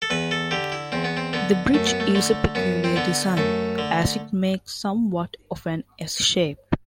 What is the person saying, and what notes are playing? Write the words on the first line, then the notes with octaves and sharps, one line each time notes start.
The bridge is a peculiar design, as it makes somewhat of an "S" shape.
A4
E2 B4
A4
D3 G4
E4
E2 C4
B3
C4
D3 B3
F#2 A3
B3
A3
D3 A3
F#2 B3
C4
D3 B3
F#2 A3
D3